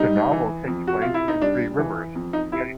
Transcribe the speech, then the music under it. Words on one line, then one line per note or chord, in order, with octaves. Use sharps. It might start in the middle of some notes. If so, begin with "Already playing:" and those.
The novel takes place in Three Rivers, Connecticut.
Already playing: G3 D#4
E3
F2
F#4
C3 F4
E4
D#4
G3 D4
E3
F2
D#4
C3 E4